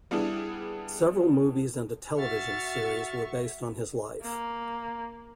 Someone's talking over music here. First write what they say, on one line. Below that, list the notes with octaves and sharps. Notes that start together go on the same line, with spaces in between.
Several movies and a television series were based on his life.
G3 B3 D4 E4 G#4
F#4 E5 C#6 F6 A6
A#3